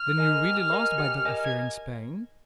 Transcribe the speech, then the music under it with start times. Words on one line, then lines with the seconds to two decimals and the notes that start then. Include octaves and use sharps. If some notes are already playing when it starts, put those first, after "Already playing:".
"Then you really lost by that affair in Spain?"
Already playing: F6
0.17 A#4 D#5 G#5
0.44 G4
0.71 A#4 D#5 G#5
0.98 G4
1.25 A#4 D#5 G#5
1.44 G#6